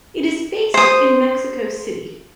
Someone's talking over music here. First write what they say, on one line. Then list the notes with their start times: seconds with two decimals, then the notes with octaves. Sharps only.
It is based in Mexico City.
0.74 C5 D#6